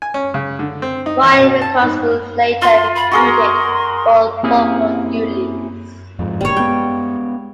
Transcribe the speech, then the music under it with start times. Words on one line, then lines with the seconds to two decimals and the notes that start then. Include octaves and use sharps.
Ryan McCombs was later recruited for vocal duties.
0.02 G#5
0.14 C#4
0.34 C#3
0.59 D3
0.82 C4
1.06 D#4
1.23 E2
1.38 B2
1.62 A5
1.82 G#2
2.62 F4 C6
2.96 B5
3.11 F#4 G#4 A#4 C6
4.43 A#3 C4 C#4 E4 G4 G#4
6.19 F2 G#2
6.41 G1 A#2 G3 C#5
6.57 G#3 B3 G5